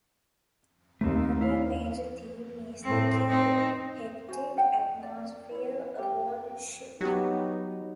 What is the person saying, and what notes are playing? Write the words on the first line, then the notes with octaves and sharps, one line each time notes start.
Another major theme is the gay, hectic atmosphere aboard ship.
D#2 A3 C4
E4 F5
A2 C4
C4 D#4
F#4 C5 G#5
D#5 F#5 G5
D5
E4 C#5
G4 G5
F#3 B3 D#4 F#4 G4